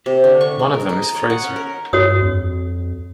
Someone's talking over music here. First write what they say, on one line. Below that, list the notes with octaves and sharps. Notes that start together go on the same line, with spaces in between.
One of them is Fraser.
C3
D3
C#6
G#3
A#4
D#4
D#5
C#5
F#5
C#4
A#4
G2 F#4 C#5 D#6
F2